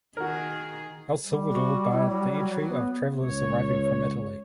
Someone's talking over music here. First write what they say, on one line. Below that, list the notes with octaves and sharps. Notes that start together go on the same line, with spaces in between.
El Salvador barred the entry of travellers arriving from Italy.
D#3 F#4 G#4 A#4
G3
F#4
E4
F#3
B3
C#2 C#5